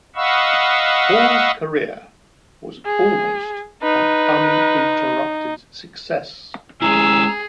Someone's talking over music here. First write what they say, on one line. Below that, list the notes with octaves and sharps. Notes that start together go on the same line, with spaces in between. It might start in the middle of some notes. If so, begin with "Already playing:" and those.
Hall's career was almost an uninterrupted success.
D#5 F5 F#5 B5 C#6 E6
G#4
D#4 B4
G#3 C#4 E4 G#4 A#5 E6